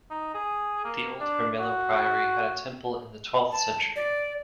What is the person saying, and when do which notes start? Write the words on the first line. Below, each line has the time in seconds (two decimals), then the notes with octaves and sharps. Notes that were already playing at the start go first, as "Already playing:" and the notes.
The old Hermelo priory had a temple in the twelfth century.
0.11 D#4
0.34 G#4
0.84 A#3
1.20 D4
1.59 F#4
3.52 A5
3.96 D5